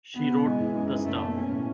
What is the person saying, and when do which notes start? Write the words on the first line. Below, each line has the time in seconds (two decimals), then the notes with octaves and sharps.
She wrote the stuff.
0.15 B2 B3
0.30 B2
0.46 E3 G#3
0.60 E3
0.75 F#2
0.91 D#3
1.05 F#1 A3
1.20 B2
1.35 B3 C#4
1.51 A2